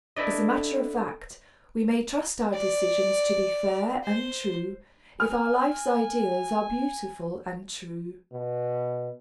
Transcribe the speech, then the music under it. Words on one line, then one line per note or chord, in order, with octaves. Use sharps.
As a matter of fact, we may trust our decisions to be fair and true if our life's ideals are beautiful and true.
D3 D4 E4 B4 D5 D#5
D5
C5
G#5 F6
B2